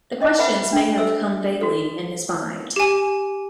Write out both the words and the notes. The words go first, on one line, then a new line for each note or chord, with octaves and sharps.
The questions may have come vaguely in his mind.
C#4 D#5 D6
B4 E5 F#5 B5
D4 G5
A4 C5 E5 E6
F#4 A4
G4 G#5